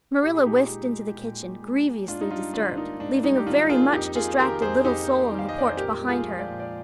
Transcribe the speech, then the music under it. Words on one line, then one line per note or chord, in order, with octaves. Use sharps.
Marilla whisked into the kitchen, grievously disturbed, leaving a very much distracted little soul in the porch behind her.
A#2 G4
G#4
A#2 D#4 G4
G#3
G#3
A#2
A#2
G#3
G#3
G#2 D4 F4
D#4
G3 D4 F4
D#3 D4 F4
A#3 D#4
G#2 D4
G3 D#4
G4
D#3 D4 F4
A#3 F4 G#4
F2 D#4 G4
A#3 F4 G#4
D#3 G4 A#4
F2 G#4 C5
F2 D#4 G4
A#3
D#3
F5
D#5
F2 D5
C5
A#2 G4 A#4
G#3
F4 G#4
F3
D5 F5
A#2
D5